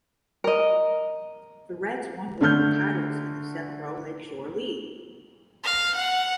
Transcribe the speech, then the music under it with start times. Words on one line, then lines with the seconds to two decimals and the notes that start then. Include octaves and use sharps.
The Reds won multiple titles in the semi–pro Lake Shore League.
0.44 A#4 D#5
2.41 D3 A3 F6 G6
5.64 F5
5.95 F#5